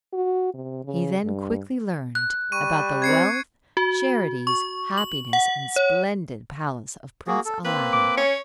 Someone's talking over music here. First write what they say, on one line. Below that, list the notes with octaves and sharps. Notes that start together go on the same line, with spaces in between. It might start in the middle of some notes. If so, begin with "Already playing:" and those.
He then quickly learnt about the wealth, charities, happiness, and splendid palace of Prince Aladdin.
F#4
C3
C#3
G2
F#6
G3 C#6 D#7
C4 G#6 C7 C#7
F#4
C#6
F#7
F#5
C#5
A#3 F#4 G#4
A4
A#3 C4 B4
D6
C#4 C#5